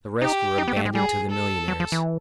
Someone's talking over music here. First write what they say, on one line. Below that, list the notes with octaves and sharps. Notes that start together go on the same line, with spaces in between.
The rest were abandoned to the millionaires.
D#4 G4
D#4
B3
A3
G#3
G3 G#4
A4
F#3
F3
E3